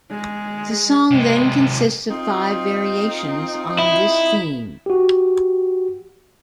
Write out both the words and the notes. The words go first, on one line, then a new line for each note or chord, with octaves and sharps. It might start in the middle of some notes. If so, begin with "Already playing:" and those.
The song then consists of five variations on this theme.
G#3
C3 G#3
C4 D#4 F4
E4
F#4 G4